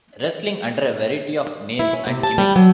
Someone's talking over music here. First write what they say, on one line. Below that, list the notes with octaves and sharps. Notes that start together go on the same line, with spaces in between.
Wrestling under a variety of names and gimmicks.
E4
C#4
C3
A5
G3
F#3